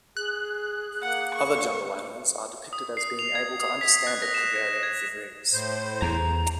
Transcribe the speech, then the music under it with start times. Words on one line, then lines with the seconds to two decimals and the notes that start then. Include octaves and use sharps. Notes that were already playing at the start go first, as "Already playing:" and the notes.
Other jungle animals are depicted as being able to understand it to varying degrees.
0.17 G#4 F#6
1.02 A#3 F#5
1.34 C#6
2.73 D#6
2.97 C7
3.19 F7
3.35 G#6
3.60 D#6
3.81 B6
4.07 F#6
4.22 A#6
4.34 E7
4.83 G#6
5.53 A2 C5
6.02 E2 A#5